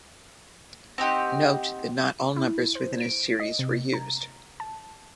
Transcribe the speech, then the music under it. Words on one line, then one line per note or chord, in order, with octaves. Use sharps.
Note that not all numbers within a series were used.
C4 D#4 G4 F#5
E4
C5
D7
D#5
C3
A#5
A5